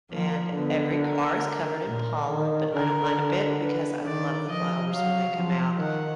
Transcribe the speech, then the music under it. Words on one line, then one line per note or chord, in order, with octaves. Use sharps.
and every car is covered in pollen, but I don't mind a bit because I love the flowers when they come out.
F3 A#3
D3 B3
A#4
A#2
D#3
D3 A#4
B4
D#3 D5
F3 D#5
F#3 F5
F3
D#3 F#5